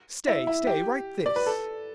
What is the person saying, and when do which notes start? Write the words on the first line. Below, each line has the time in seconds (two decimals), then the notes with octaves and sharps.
Stay, stay, write this.
0.27 E4
0.47 E4
0.67 G4
1.26 D5
1.36 B4
1.46 A4